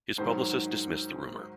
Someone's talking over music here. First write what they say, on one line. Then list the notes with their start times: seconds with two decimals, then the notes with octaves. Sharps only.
His publicist dismissed the rumor.
0.18 G#2 D#3 F#3 C5